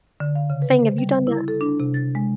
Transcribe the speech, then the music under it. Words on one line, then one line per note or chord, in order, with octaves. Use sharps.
thing. Have you done that?
D3
F5
C#3
B4
C5
G3
E4
A4
D4
C3
A6
G#3